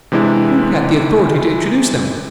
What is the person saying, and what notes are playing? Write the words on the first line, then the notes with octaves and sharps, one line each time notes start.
Who had the authority to introduce them?
C3 E3 G#3 D4 E4